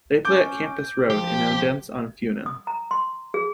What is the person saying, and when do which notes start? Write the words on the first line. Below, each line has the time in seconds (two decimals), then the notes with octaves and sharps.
They play at Campus Road, in Odense on Funen.
0.25 C#4 D6 G6
1.10 F3 G4
2.46 D#6
2.67 A#5
2.91 C6
3.34 G#4